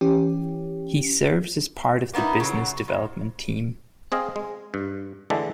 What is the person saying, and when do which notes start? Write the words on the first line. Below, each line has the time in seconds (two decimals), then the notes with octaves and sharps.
He serves as part of the business development team.
0.01 E3 C#4 G4
2.13 A#3 B3 C#4 D#4 E4
2.40 C#3 F#3
2.88 F2
4.12 C4 G#4 D#5 F5
4.36 G#3
4.74 G2
5.30 D3 E3 G#3 A3 D4 E5